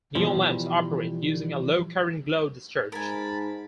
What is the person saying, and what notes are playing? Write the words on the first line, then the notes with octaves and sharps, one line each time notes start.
Neon lamps operate using a low current glow discharge.
B2 E3 F3 G3
G#2 A#4 G#5 A5 B5